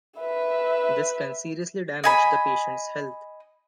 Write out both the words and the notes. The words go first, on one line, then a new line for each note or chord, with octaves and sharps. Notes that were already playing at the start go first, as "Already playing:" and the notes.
This can seriously damage the patient's health.
B4 E5
D#5 G#5 B5